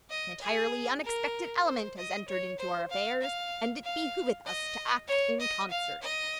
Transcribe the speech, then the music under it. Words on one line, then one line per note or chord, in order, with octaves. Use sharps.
An entirely unexpected element has entered into our affairs, and it behooveth us to act in concert.
D#5
G#4
A#4
C5
D#5
C#5
C5
F5
F5
F5
D#5
C#5
D#5
F5
D#5